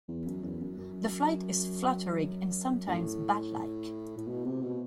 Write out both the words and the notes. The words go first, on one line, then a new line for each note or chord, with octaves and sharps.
The flight is fluttering and sometimes bat-like.
E2
F#2
E2
F#2
F#2
A2
A2
B2
C3
B2